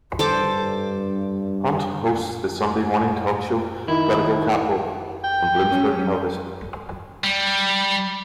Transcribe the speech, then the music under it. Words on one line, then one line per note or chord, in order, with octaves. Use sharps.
Hunt hosts the Sunday morning talk show "Political Capital" on Bloomberg Television.
G2 A4 C5 D6
D#3 E4
G5
F#3 C#4
G3